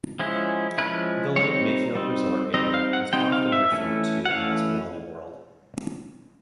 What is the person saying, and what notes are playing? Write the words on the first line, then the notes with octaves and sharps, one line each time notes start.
The Lake Mayfield Resort area is often referred to as 'Wally World'.
F3 G#3 C#4 E4
F3 G#3 C#4 E4 B4
G3 C4 D#4 C#5
G3 C4 D#4
G3 C4 D#4 D#5
F5
F#5
G3 C4 D#4 G5
F5
E5
E3 A3 C#4 E4
F#5
E3 A3 C#4 E4 F5